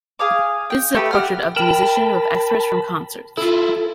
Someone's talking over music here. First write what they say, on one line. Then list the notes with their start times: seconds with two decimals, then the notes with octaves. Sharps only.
This is a portrait of the musician with excerpts from concerts.
0.19 G#4 F5 D6
0.70 G5
0.95 A3 G4 B4
1.11 G4 F#5 F6
1.56 A#4 G5 A5 B5
3.37 E4 F4 A4